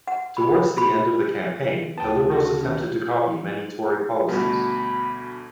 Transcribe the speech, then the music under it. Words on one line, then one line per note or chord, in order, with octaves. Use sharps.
Towards the end of the campaign, the Liberals attempted to copy many Tory policies.
F#5
B5
B5
D2 B3 G5 A5
F#4
D#2 D#3 C#4
D2 B2 G3 F#4 B5